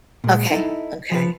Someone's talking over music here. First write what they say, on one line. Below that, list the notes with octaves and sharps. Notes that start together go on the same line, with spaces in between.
Okay, okay.
A#2 G#3
D#4 E4 A4
F3 B4